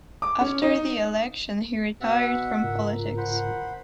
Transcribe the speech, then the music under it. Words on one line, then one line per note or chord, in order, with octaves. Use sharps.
After the election he retired from politics.
D6
C#4
D#4
B2 E5 F#5
G#2 C#3 F4 A#4
C5 F#5 B5